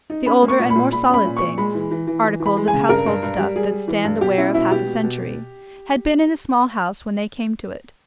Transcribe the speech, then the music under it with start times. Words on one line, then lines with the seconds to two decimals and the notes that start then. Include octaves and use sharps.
The older and more solid things,--articles of household stuff that stand the wear of half a century,--had been in the Small House when they came to it.
0.10 D#4
0.26 C#4 B5
0.43 A#3
0.48 C#6
0.59 A#2
0.70 B5
0.75 A#2
0.92 A#2 B5
1.09 C#4 B5
1.25 A#2
1.37 A#2 C#6
1.58 G#3 B5
1.75 E3
1.91 E3
2.07 E3
2.24 E3
2.40 E3
2.46 B5
2.57 G#3
2.68 G#5
2.73 C#3
2.89 G2 A#4
3.06 G2
3.23 G2
3.39 G3
3.56 G3 G#4
3.72 G3
3.88 E3
4.04 G2
4.21 B2 G4
4.38 C#4 E4
4.54 B2 E4
4.71 B2 G4
4.86 B2
5.04 B2